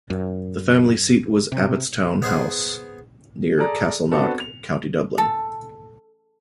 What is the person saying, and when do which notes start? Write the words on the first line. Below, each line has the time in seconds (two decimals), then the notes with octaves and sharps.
The family seat was Abbotstown House, near Castleknock, County Dublin.
0.10 F#2
1.52 C3
2.22 B3 G#4 C5 F#5
3.58 G#4 A4 D5 A#5
4.11 B3 C4 D4 F#4 A4 B4
4.40 F7
5.18 A4